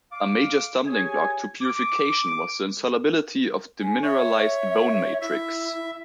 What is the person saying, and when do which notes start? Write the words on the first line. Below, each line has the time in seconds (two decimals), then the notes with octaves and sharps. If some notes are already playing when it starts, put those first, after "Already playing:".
A major stumbling block to purification was the insolubility of demineralized bone matrix.
0.12 F5 D6
0.86 G4 G#4 C#5 G#5
1.61 D6
3.80 G#5
4.02 C#5 E5
5.21 E4 E5